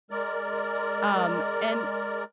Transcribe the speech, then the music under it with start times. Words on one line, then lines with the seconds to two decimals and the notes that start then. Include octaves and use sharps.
Um, and
0.11 G#3 A#4 D5